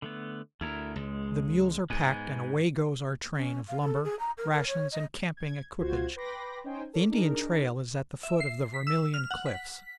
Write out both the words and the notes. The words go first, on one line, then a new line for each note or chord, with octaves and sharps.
The mules are packed and away goes our train of lumber, rations, and camping equipage. The Indian trail is at the foot of the Vermilion Cliffs.
D3 A3 B3
D2 A3 E4 A#4
C#2 G#3
G#2 G#3 B3 G#5
C#4
F5
A4
G#4
A#5
A#4
A#4
C#5
D#5
G#6
C#2 F4 F#4 C5 G#6
B4 G5 B5 C6 D6 A#6
C#4 D#4 C5 G5 G#5
A4 A#4 C#5 D6
D4 D#4 G#4 A#4
E5
C7
B6
E6
F6
F#5
B6